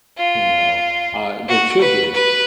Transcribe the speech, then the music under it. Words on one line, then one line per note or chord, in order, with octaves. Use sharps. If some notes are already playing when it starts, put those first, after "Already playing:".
You know, uh, that should be.
F4
F#4
B4
B4